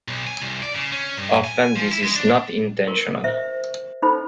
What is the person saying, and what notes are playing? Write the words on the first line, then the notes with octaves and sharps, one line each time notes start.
Often, this is not intentional.
B1
G#5
C2
D5
C#3
C#4
G2
G#5
F3
E4
G#3
D4
A#4
C5 E5
C#4 D#4 A4 C5 B5